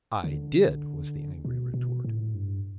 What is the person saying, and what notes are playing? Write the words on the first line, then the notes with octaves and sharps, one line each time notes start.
"I did," was the angry retort.
D3
B2
B2
A2
G2